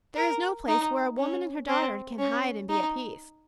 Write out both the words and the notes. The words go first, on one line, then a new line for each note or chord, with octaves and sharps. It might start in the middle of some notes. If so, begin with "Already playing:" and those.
There is no place where a woman and her daughter can hide and be at peace.
A#4
D#4
C#4
C4
C#4
D#4